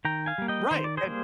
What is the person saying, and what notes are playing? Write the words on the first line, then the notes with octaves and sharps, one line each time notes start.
Right, and
D#3 G5 A#5
F5 G#5
G3 A#3
D#5 G5
D#3 C5
D5
G#4 C5
G3 A#3